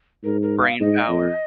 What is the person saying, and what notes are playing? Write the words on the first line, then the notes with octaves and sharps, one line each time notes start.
brain power.
G#2 A#4
A#4
F5
G#2 D#5
F2